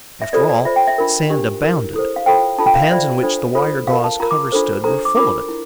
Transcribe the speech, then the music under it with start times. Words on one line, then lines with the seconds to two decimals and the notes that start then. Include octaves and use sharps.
After all, sand abounded: the pans in which the wire-gauze covers stood were full of it.
0.22 E5
0.33 F4 A4 C5 D5
0.49 D5
0.65 F4 C5 E5
0.76 G5
0.88 E5
0.98 D4 F4 A#4
1.30 D4 G4 A#4
1.63 E4 A#4
1.94 E4 A4 C5
2.16 F5
2.26 F4 A4 C5 G5
2.58 D4 F4 A4 A5
2.66 G5
2.75 F5
2.82 E5
2.91 F4 C5 D5
3.23 D4 F4 A4 C5
3.55 F4 A4 C5
3.87 F4 F5
3.92 A#4
4.04 A5
4.20 F4 A#4 A#5
4.31 D6
4.52 D4 F4 A4 C5
4.84 D4 A4 C5 A#5
5.05 D6
5.16 D4 F4 A#4 D6
5.49 E4